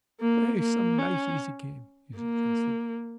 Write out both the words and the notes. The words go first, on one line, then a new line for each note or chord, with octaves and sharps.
"Play some nice, easy game," he suggested.
A#3
A#3
C#4
A#3